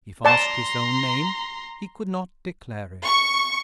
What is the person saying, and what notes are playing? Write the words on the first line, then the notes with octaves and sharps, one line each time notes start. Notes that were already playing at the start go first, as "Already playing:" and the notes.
If asked his own name, he could not declare it.
D5 A5 A#5 C6
C#6